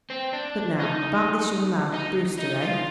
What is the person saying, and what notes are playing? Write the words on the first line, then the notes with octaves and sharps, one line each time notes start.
But now about this young man--Brewster--eh?
C4
D4
D#4
D#4
D#4
F4